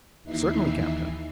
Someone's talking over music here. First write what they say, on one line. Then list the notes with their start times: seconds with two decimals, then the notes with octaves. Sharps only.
"Certainly, captain."
0.23 D#2 E3 D#4 E5 C7